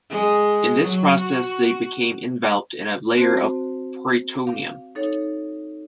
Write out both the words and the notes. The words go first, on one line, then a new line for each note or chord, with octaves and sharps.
In this process they become enveloped in a layer of peritoneum.
G#3
F#3
F#4
C4 F#4 C5 A5
F5
D#4 A4 C#5